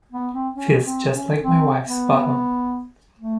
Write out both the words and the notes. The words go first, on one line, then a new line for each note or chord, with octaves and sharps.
Feels just like my wife's bottom.
B3
C4
C#4
C4
C#4
C4
B3
A3